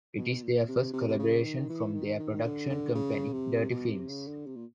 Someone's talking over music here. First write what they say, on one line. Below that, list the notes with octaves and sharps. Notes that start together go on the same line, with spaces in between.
It is their first collaboration from their production company "Dirty Films".
B2
A#2
C3
C3
C3
C#3
D#3
E3
D#3
D#3
D3
D3
C#3
C3
B2
C3
C#3
D3
C3
A#2